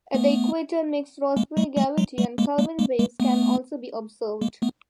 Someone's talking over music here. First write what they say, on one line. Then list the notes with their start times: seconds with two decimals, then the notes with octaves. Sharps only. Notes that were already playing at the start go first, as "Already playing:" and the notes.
At the equator, mixed Rossby-gravity and Kelvin waves can also be observed.
0.14 A3 B3
1.37 G#3 A#3
1.57 G3 A3
1.77 G3 A3
1.98 F#3 G#3
2.18 G3 A3
2.38 G#3 A#3
2.58 G#3 A#3
2.79 G#3 A#3
2.99 G#3 A#3
3.20 A3 B3
4.41 G#3 A#3
4.62 A3 B3